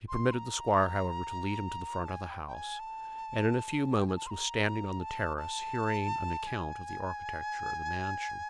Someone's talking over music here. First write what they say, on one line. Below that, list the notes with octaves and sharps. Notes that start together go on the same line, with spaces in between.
He permitted the squire, however, to lead him to the front of the house, and in a few moments was standing on the terrace hearing an account of the architecture of the mansion.
C6
A#5
A5
G#5
G5
G5
G#5
A5
G5
G#5
A5
C6
A#5
A5
A5
G#5